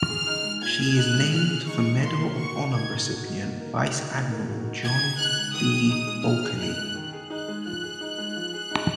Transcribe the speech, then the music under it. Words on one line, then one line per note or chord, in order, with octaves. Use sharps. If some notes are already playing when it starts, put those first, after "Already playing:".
She is named for Medal of Honor recipient Vice Admiral John D. Bulkeley.
Already playing: F6
G#4
D#4
G#3
A#2 G#6
G#4
D#4 F#6
G#3
A#2 F6
G#4
D#4 C#6
G#3
A#3 C6
A#4
F#4 C#6
D#4
A#3 G#6
A#4
F#4
D#4
A#3
A#4
F#4
D#4
A#3
A#4
F#4
D#4
D#3 G#6
G#4
D#4 F#6
G#3
D#3 D#6
G#4
D#4 D#6
G#3
D#3 F6
G#4
D#4 F#6
G#3
D#3
G#4
D#4 F#6
G#3
F3 F#6
G#4
D#4
G#3
F3
G#4
D#4